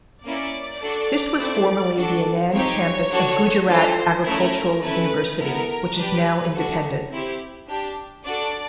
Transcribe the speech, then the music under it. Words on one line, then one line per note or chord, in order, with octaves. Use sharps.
This was formerly the Anand Campus of Gujarat Agricultural University, which is now independent.
A#3 C#4 E4 D5
D4 F#4 A4
C4 E4 A4
D4 F#4 A4
C4 D#4 G4 C#5
D4 F#4 A4
D4 F4 A4 C5
A3 C#4 E4 A#4
A3 C#4 E4 B4
B3 E4 A4 A#4
D4 G4 B4
D4 F#4 A4
C4 E4 G4
D4 G4
D4 F#4 A4 D5